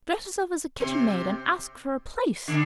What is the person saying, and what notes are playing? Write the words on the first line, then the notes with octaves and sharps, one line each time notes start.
'Dress yourself as a kitchen-maid and ask for a place.
C3 C4
D3 D4